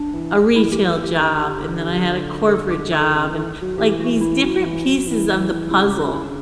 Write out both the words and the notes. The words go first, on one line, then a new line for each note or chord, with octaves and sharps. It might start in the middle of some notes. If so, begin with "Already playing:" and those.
a retail job, and then I had a corporate job, and, like, these different pieces of the puzzle,
Already playing: D4
E3
E3 E4
G4
A4
G4
E3
D3 G4
A4
G4
A4
C#3
E3
F#3
E3 G4
F#4
E4
F#3
F#3
E3
F#3
E3
C#3 E4
G4
F#4
E4
D4